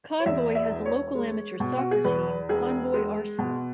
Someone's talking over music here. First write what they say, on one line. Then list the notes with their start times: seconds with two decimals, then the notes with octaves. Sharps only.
Convoy has a local amateur soccer team, Convoy Arsenal.
0.20 C#5
0.26 E2 E5
0.55 E5
0.70 E1
0.85 C#5
1.15 G#3
1.60 B2
1.78 F#4
1.91 G#4
2.04 E2 B4
2.49 E1 G#4
2.94 G#3
3.39 B2